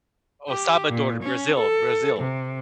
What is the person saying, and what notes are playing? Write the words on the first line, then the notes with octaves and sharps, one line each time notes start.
Oh, Salvador, Brazil. Brazil.
G4
A#2
C#4
A4
C3